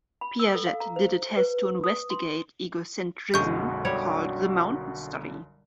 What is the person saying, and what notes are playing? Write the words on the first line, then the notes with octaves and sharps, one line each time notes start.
Piaget did a test to investigate egocentrism called the mountains study.
B5
E6
A4
F5
A#5
C5
B4
D#6
C6
B1 F#2 D3 G#3 F#4 C#6 G6
G3 C#5